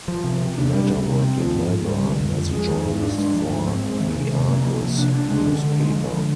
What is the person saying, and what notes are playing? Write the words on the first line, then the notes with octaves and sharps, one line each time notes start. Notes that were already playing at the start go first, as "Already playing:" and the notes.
He later worked in Melbourne as a journalist for "The Argus" newspaper.
F3
C3
C3
D4
G3
C3
C3
C4
F3
G#2
G#2
G3
D3
F2
F2
G#3
D#3
G#2
D4
G#3
F3
G#2
C4
G#3
D#3
C3
C3
A#3
F3
C3
D4
D4
G#3
D3
D3
G#3
F3
D3